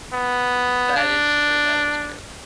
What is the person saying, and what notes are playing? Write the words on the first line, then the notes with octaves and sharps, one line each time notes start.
That is true, that is true.
B3
D4